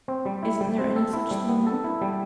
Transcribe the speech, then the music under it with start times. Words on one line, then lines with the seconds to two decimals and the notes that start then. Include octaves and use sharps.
"Isn't there any such thing, then?"
0.08 C4
0.25 G3
0.43 E4
0.61 G3
0.78 C4
0.96 A4
1.13 E4
1.31 G3
1.49 B3
1.67 A4
1.84 E4
2.01 G3